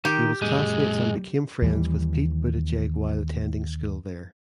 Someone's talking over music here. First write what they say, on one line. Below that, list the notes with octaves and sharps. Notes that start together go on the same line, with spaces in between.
He was classmates and became friends with Pete Buttigieg while attending school there.
D#3 G4
F#2 A#2 G#3
D#2 E3 G3